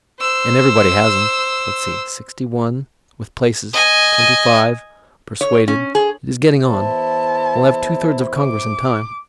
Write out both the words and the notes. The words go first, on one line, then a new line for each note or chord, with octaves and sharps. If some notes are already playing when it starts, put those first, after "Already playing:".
And everybody has 'em. . . .Let's see: . . . sixty-one. . . . with places . . . twenty-five . . . persuaded--it is getting on; . . . . we'll have two-thirds of Congress in time . . .
C5 E6
D#5 G#5
C#5
C#4
G#4
E2 E4 C5 A5
D6